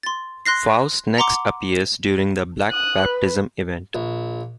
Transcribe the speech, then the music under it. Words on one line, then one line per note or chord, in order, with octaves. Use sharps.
Faust next appears during the "Black Baptism" event.
C6 A6
C6 F#6 A#6 C7
F#5 A#5 C6 D6
D#6 F#6
B4
A#1